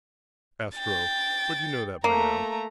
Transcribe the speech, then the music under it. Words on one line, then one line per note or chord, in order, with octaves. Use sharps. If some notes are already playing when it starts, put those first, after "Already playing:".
"Astro, but you know that by now."
G5 A6
A3 A#3 A#5